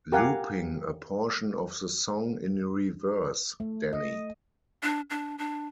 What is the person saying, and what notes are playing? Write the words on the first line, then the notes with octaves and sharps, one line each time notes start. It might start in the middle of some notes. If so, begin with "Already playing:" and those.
Looping a portion of the song in reverse, Danny!
G4 A#4 F5 F#5 G#5
A3
D#5
D4
D4
D4